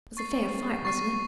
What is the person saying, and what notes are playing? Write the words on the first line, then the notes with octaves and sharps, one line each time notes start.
It was a fair fight, wasn't it?'
C#6 A6 C7
C#6 A6 C7